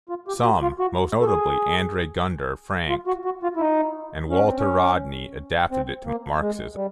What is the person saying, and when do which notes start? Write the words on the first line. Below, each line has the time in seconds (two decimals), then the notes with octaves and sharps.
Some, most notably Andre Gunder Frank and Walter Rodney adapted it to Marxism.
0.09 F4
0.28 G4
0.44 F#4
0.62 F4
0.79 F#4
1.21 A4
1.26 G#4
2.89 F4
3.07 F#4
3.25 F#4
3.43 F4
3.56 E4
3.60 D#4
4.30 C#4
4.44 C4
4.58 C#4
5.71 C4
6.06 A#3
6.40 G#3
6.76 G3